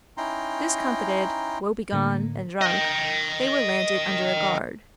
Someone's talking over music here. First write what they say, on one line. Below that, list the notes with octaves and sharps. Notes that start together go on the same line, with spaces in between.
Discomfited, woebegone, and drunk, they were landed under a guard.
C#4 D#4 E4 G5 A#5 C6
A2 D3 A#3
D#5 G5